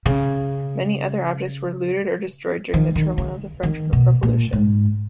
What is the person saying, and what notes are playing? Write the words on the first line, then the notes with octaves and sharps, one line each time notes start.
Many others objects were looted or destroyed during the turmoil of the French Revolution.
C#3
D#3
D#3
C#3
D#3
B2
A#2
G#2